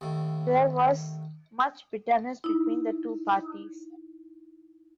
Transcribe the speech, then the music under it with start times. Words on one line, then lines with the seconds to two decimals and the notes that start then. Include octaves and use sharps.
There was much bitterness between the two parties.
0.01 D#2 A2
2.44 D#4 E4